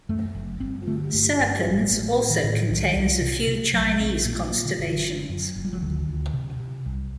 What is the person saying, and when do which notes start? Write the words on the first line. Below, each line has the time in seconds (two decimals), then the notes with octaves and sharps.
Serpens also contains a few Chinese constellations.
0.09 F#2 A3
0.35 F#1
0.60 G1 C4
0.87 D3 A3
1.13 G2 A3
1.39 G1
1.65 A1 G3
1.78 G3
1.91 A1 A3
2.04 A3
2.17 A2
2.30 D#3
2.43 A2 D3
2.56 D#3
2.69 C2 D#3
2.96 C2
3.22 C3
3.47 C3
3.73 A#1 F#3
4.00 A#1 C4
4.25 A#2 A#3
4.38 A3
4.52 A#2 A#3
4.65 D3
4.77 F#1 D3
5.04 D3
5.29 F#2
5.56 F#1
5.65 G3
5.73 F#3
5.82 D2 D#3
6.08 D2
6.33 C3
6.60 C3
6.86 C2